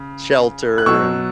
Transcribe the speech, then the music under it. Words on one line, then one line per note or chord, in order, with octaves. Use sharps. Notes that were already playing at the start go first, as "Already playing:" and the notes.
shelter, and,
Already playing: C#3
F#6
B2 F#3 C#6 E6